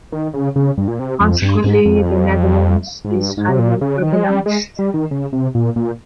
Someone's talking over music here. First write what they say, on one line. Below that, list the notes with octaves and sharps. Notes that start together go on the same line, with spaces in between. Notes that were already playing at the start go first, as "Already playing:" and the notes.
Consequently, the Netherlands is highly urbanized.
D#3
C#3
C#3
G2
A#2
C3
F2
G2
G#2
F2
G#2
G2
G#2
C3
A#2
C#3
D#3
G#3
G3
G#3
G3
D#3
C#3
C3
A#2
A#2